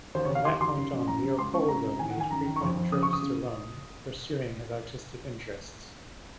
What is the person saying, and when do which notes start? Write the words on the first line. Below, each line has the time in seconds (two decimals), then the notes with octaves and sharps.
From that point on Leopoldo made frequent trips to Rome, pursuing his artistic interests.
0.15 D#2 C5
0.25 C#5
0.30 D#2
0.35 F5
0.45 D#2 C6
0.61 D#2 C6
0.76 F#2
0.92 F#2
1.08 F#2 A#5
1.23 F#2
1.38 C#2 C6
1.53 C#2 C#6
1.68 C#2 A#5
1.85 C3
1.99 D#3 G#5
2.10 F#5
2.15 D#3 G#5
2.30 F#2 A#5
2.46 D#3
2.56 C#6
2.61 F2 C6
2.77 F2
2.92 C#3 D#6
3.03 C#6
3.08 C#3
3.13 D#6
3.22 C#3